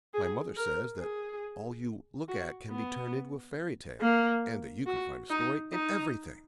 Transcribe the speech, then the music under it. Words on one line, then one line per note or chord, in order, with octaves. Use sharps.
"My mother says that all you look at can be turned into a fairy tale: and that you can find a story in everything."
G#4
A#4
G#4
F#4
B3
A#3
F#4
D#4
D#4